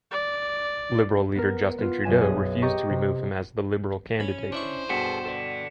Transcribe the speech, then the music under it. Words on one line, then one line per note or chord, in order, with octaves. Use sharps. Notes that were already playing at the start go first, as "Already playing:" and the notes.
Liberal leader Justin Trudeau refused to remove him as the Liberal candidate.
D5
B3 A#4
B3 F4
B1 F#2 G#5 E7
G#4
G4 D#5 A#5 C#6
C3
C#4 B5
D4 E4 C5 C#6
G2 B2 G#4 A4 B6 C#7 E7
A4 D5